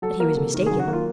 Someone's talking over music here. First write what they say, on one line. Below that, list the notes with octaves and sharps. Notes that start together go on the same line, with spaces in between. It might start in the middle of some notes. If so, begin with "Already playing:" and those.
But he was mistaken.
F#3 A4
A#3 A#4
C3 A4
D#3 A#4
G#4
F#3
F#4
A#3
F4